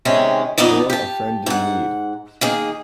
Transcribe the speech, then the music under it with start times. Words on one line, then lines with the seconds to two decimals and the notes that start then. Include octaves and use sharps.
You're a friend in need.
0.05 C3 D#3 G#3 C#4
0.58 F2 A#2 B3 D#4 D5
0.90 G4 A5
1.46 G#2 F#5
2.41 D#3 A#3 G#4